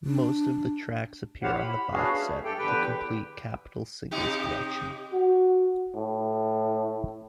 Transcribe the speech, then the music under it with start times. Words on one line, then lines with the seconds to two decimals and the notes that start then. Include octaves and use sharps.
Most of the tracks appear on the box set "The Complete Capitol Singles Collection".
0.05 D4
1.42 E4 G4 C5 C#5 F5 F#5
1.57 B5
1.93 B3 C#4 D4 F#4 G#4 F5
2.20 A3
2.45 G2 G4 A4 G5
2.59 E2 D3 G4 B4 G5
4.11 C3 D#4 G4
5.13 F#4
5.95 A2